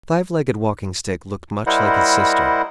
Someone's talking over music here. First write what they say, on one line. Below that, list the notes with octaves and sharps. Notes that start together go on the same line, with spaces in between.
The Five-Legged Walking-Stick looked much like his sister.
G3 E4 A#4 C5 D#5 F#5